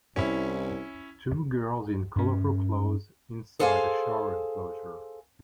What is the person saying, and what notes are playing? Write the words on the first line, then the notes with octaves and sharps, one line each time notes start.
Two girls in colourful clothes inside a shower enclosure.
C2 C#4 E4
G2 C#4
G#4 A4 C5 F5 G5 G#5